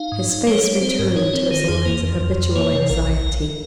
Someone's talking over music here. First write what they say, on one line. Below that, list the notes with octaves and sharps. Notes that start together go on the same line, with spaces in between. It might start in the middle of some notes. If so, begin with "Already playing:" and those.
His face returned into its lines of habitual anxiety.
Already playing: D#4 F5
G#2
D#4
G3 C#5
G3 C#5
C4 C5
G#2 A#4
D#4 C#5
C4 C#5
D#3 C5
F4
F2 G#4
C5
A#3
F2
F2
F2
A#3 C#5
C3 C#5
A#1 A#4
A#1
A#1